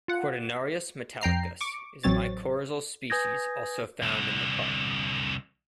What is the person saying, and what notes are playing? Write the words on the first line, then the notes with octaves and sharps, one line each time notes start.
"Cortinarius metallicus" is a mycorrhizal species also found in the park.
F4 F#5
F2 G5 A#5 C7
C#6 D6
A1 F#3 C4 C#5 A6
B4 G#5 D#6 G6 G#6 A#6
C2 D3